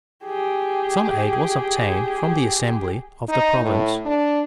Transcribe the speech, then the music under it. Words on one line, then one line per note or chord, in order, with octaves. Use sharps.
Some aid was obtained from the assembly of the province.
G4 G#4
D#4
A2
D4